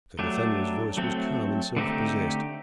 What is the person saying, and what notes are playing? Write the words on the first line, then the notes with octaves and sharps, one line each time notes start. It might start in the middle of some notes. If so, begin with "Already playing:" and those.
Sir Nathaniel's voice was calm and self-possessed.
F#3 A3 D4 G4
F#3 A3 C4
D3 A3 C4 D#4 G4